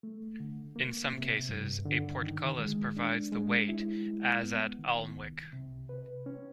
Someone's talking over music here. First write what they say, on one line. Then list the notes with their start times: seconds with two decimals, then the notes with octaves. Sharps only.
In some cases, a portcullis provides the weight, as at Alnwick.
0.03 A3
0.40 D3
0.76 A#3
1.13 C3
1.49 G2
1.86 D3
2.22 D#3
2.59 G#3
2.97 D4
3.32 G#3
3.69 E4
4.06 G#3
4.43 B3
4.79 D#3
5.15 C2
5.53 C3
5.89 B4
6.26 C#4